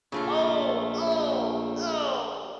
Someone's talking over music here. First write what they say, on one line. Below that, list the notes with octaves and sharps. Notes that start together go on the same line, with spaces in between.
Oh, oh, oh.
A#1 C#3 A3 F4